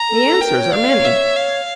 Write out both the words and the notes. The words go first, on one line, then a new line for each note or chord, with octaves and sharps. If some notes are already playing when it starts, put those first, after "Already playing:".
The answers are many.
Already playing: A#5
A4
A4
A#4 G5
C#5
D5 F5
C#5
E5
F5